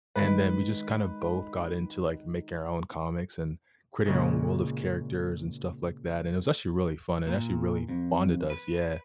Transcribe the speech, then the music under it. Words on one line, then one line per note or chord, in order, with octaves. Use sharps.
And then we just kinda both got into, like, making our own comics and creating our own world of characters and stuff like that, and it was actually really fun, and actually really bonded us. Yeah.
D#3 G#3 B4 B5
A#2 C#3 G#3
A#2
F2
B4